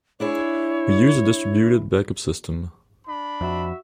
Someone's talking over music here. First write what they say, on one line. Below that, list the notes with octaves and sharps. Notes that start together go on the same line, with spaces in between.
We use a distributed backup system.
D4 E4 G#4 C#5
D4 B5
F2 F#4 E5